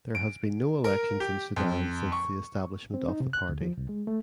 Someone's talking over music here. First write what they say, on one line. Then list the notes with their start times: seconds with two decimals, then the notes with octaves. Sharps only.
There has been no elections in Sudan since the establishment of the party.
0.15 D7
0.84 A#4
1.20 G4
1.56 F2
2.12 C#6
2.94 C4
3.08 D#4
3.20 C3
3.33 F#6
3.49 D2
3.61 F3
3.77 C2
3.89 G#3
4.07 A3